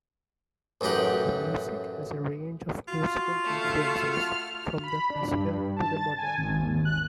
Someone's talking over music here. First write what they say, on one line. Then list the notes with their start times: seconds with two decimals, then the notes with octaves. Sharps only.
The music has a range of musical influences from the classical to the modern.
0.81 A1 F#2 D#4 G4 F#5
2.88 F4 F#4
3.42 A3
4.12 F6
4.83 B5
5.10 D4
5.33 G2
5.76 A5
5.95 A6
6.18 G#5
6.38 G#1
6.59 D#2
6.85 F#6